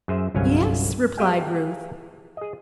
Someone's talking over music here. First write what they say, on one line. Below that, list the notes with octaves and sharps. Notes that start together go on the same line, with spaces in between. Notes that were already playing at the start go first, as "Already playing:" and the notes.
"Yes," replied Ruth.
F#2 G#4 C5 E5
G1 C2 F#3 C#4 F5 G#5
G4 G#4 E5 F5 G5 G#5
G#4 D#5